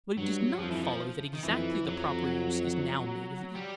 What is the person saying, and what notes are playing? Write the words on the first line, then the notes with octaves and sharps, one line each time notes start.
But it does not follow that exactly the proper use is now made of each.
G2 F#3
F2 F3
E3
F3
D#3
F2 E3
F2 F#3
G3